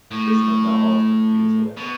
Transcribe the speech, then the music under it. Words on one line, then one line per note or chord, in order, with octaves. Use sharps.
Prison had not altered her views, however.
A2
B2